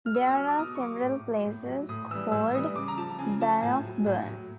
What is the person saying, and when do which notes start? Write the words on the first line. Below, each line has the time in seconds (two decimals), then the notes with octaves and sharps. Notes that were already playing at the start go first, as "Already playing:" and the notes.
There are several places called Bannockburn.
0.06 F6
0.15 B2 E6
0.27 E6
0.37 F#3 F6
0.47 D6
0.58 B2 D#6
0.76 C#6
0.80 F#3 D6
1.03 A2
1.24 F#3
1.45 A2
1.67 F#3
1.89 A2 D#6
2.11 E3 G3 E6
2.32 A2 E6
2.54 E3 G3 D#6
2.75 C#3 D6
2.88 A#5
2.97 F3 A5
3.18 C#3 G#5
3.40 F3 A5
3.62 A2 G#5
3.85 F#3
4.06 A2
4.27 F#3